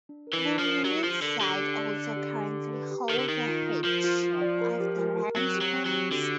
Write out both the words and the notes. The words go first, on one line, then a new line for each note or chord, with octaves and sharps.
The Women's side also currently hold the headship of the Lent bumps.
D4
A#4
E3
D4
F3
A#4
F#3 G4
F3 D4
D3 A#4
D3 G4
G4
D5
D5
G4
G4
G4
B4
G4
D#3 A#4
D3
D#3 A#4
F4
F4
F3 A#4
F4
F4
D5
A#4
G4
A#4
A#4
F#3 C4
G4
F#3
C4
F#3
G4
D3 F#4